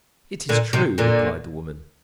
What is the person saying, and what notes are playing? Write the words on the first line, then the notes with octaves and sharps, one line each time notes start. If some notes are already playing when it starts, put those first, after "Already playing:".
"It is true," replied the woman.
A#2 D3
C3 D#3
A#2 D3